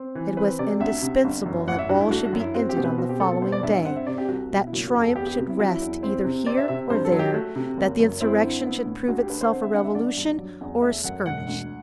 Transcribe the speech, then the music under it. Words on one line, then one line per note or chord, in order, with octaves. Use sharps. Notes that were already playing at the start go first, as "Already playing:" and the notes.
It was indispensable that all should be ended on the following day, that triumph should rest either here or there, that the insurrection should prove itself a revolution or a skirmish.
Already playing: C4
E3
C4 B4
C3 D5
D2 E5
C3
G1
F#2
A1 F#5
E5
G2 F#4
E4
A3 F#4
F#4
F#2
E4
C4 F#4
G4
B2
B4
C4 F#4
G4
B2 A4
A4
B3 C5
D5
G2 E5
E5
C4 F#5
E5
C3 D5
G4
C2 F#4
B2
E4
F#1 F#4
F#4
E2
A4
B3 G4
G4
C3 F#4
E4
F#3 F#4
E4
E2
C4
C3
C4 D5
E5
C3 E5
G2 C5
A4
F#3
G4
A3 F#4
C3
F#1
F#2
C4 E4
D3
B3
A2
D2 F#4
G4
D3 B4
C5
C4 C5
E5
D3 F#5
E5
G1 D5
G2
F#3
E2
A3 E5
F#2 F#5
E1 F#5
D2